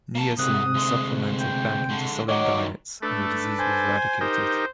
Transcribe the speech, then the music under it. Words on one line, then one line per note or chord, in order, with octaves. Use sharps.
Niacin was supplemented back into Southern diets and the disease was eradicated.
A#3 A5
C2 G#2 C3 C4 D#6 F#6
D2 G#3
G5
D3 G#3
D#3 F#3 C#5 D#5 F#5 D6
A3 D4 A4 B4
C5 G#5
D#4 G4 A#4 C5